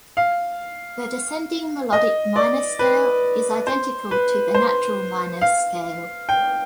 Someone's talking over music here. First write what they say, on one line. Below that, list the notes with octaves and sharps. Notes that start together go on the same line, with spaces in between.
The descending melodic minor scale is identical to the natural minor scale.
F5
D#5
D5
B4
C5
B4
C5
F5
G5